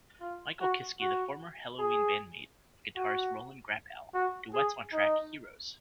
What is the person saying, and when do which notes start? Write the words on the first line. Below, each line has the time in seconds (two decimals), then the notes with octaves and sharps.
Michael Kiske, the former Helloween bandmate of guitarist Roland Grapow, duets on track "Heroes".
0.21 F4
0.61 F#4
1.00 F#4
1.79 G#4
2.96 F#4
4.14 F#4
4.54 G#4
4.93 D#4